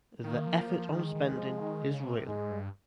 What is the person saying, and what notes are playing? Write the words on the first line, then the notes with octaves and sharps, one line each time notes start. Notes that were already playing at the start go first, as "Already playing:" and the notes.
The effort on spending is real.
D#3 A#3
F3
F3
D#3 G#3
D#3
F3
D#3
C#3
C3
G#2 G#3
G2